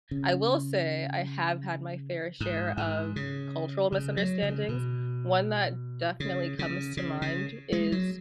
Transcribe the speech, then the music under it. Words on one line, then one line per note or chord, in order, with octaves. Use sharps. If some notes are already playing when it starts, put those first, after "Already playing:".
I will say, I have had my fair share of cultural misunderstandings. One that definitely comes to mind is
C#3
G#2
G#2
C#3
C#3
F#3
C#3
B2
C#3
C#3
C#3
C#3
G#3
F#3